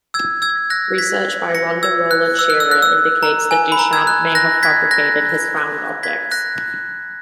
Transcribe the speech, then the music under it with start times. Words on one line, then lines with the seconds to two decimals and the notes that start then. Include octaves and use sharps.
Research by Rhonda Roland Shearer indicates that Duchamp may have fabricated his found objects.
0.14 E6 G#6
0.42 E6 G#6
0.70 F#6 A#6
0.98 G#6 B6
1.55 A#6 C#7
1.83 E6 G#6
2.11 F#6
2.39 E6
2.50 F#6
2.60 E6
2.71 F#6
2.82 E6
3.23 A#5
3.51 G#5
3.72 B5
3.79 A#5
3.93 E6 G#6
4.07 F#6
4.35 F#6 A#6
4.63 G#6 B6
4.91 F#6 A#6
6.03 G#6 B6
6.32 F#6 A#6